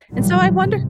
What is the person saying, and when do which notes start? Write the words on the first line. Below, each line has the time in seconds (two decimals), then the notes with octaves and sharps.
and so I wonder
0.11 A1 A#2 D3 E3 F#3 G3
0.58 G#2 C3